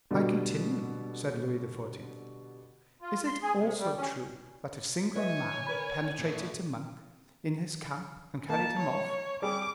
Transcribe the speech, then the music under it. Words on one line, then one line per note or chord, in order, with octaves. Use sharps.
"I continue," said Louis XIV.: "Is it also true that a single man penetrated to Monk, in his camp, and carried him off?"
B2 D3 G3
F4
C6
G#4
C3
G3
C#4
B4 C#5 D#5 E5 G#5
A#4 B4 B5
A#2 A4
A#3 A5
C#5
G3 G4 G#4 D6